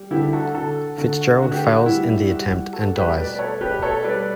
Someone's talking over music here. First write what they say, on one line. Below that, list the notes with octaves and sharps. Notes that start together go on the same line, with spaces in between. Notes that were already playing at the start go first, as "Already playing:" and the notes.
Fitzgerald fails in the attempt and dies.
Already playing: G3
D3 E4 G4
F#4 A4
D3 F#4 A4
D3 F#4 A4
F#4
D3 F#4
G4
F#4
G3 E4
G3 F#4
G3 F#4 A4
G4 B4
B2 B4 D5
B4
A4 C#5
B2 G4 B4
A4 C#5
G3 B4 D5
B4